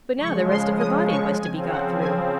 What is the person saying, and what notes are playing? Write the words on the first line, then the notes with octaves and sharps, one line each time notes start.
But now the rest of the body was to be got through!
C#3 F3 G#3 C#6
C6
D#6
C#6
C#3 F3 C4 G#5
F#5
G#5